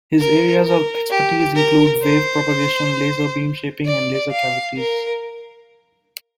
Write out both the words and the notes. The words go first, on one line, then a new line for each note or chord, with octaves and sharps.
His areas of expertise include wave propagation, laser beam shaping and laser cavities.
A#4
A#4
G4
A#4
C5
D5
F5
A#4